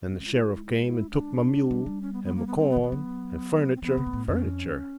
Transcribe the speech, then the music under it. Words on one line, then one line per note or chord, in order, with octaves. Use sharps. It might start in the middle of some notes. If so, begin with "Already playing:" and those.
Then the sheriff came and took my mule and corn and furniture--" "Furniture?
C4
G#3 C#4
F4
E4
F#4
E4
E4
F4
E4
D4
G#3
G3
G3
C#4
B3
B3
A#3
B3
C4
B3
E3
F3 B3
F#3
C4
F3 B3
C#3
A#2
A2
F2 C#4